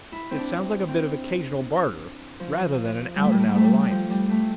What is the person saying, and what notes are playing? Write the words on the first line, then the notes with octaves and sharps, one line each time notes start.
It sounds like a bit of occasional barter, rather than an out-and-out alliance.
E4
C4
D4
C4
F3
G3
A3
G3
A3
G3
A3
G3
F3
G3
A3